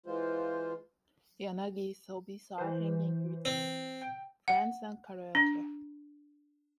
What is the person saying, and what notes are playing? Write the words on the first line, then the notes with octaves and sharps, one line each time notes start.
Yanagi's hobbies are hanging with friends and karaoke.
E3 G#3 F4 C5
E3 C5
C4
G5
F#5
D4